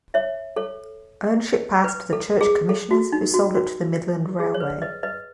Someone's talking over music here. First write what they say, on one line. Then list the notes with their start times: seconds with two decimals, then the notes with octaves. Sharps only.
Ownership passed to the Church Commissioners, who sold it to the Midland Railway.
0.14 C#5 E5
0.56 A4 C#5
1.84 B4
2.13 A4
2.41 G#4
2.69 A4
2.91 F#4
3.12 D#4
3.34 F#4
3.55 F#4
4.40 G#4
4.54 C#5
4.60 B4
4.82 B4 D#5
5.03 B4 D#5